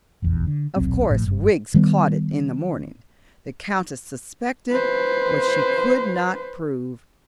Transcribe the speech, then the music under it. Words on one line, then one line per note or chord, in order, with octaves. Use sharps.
Of course Wiggs caught it in the morning; the Countess suspected what she could not prove.
F1 A#1 E2
D3
D#1 B1 F#3 C4
G#1 A2 F3
F#1 G2
D#3 G3 A3 B3
B4 C5